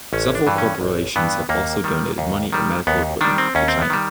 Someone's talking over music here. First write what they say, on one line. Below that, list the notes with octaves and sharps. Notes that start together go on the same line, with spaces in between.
Several corporations have also donated money or medical equipment to China.
A1 C#4
D4
G2 E3
C#4
A1
G2 E3 B3
D#2 A#3
D#3 G3
D#2
D#3 G3
D#2 B3
D#3 G3 D4
C4
D#2 C#4
C4
B3
D#3 G3